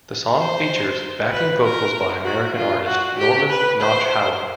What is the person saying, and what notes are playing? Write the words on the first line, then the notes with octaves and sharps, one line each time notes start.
The song features backing vocals by American artist Norman "Notch" Howell.
C5
B4
A#4
F#4
F4
F#4
G4
B4
C5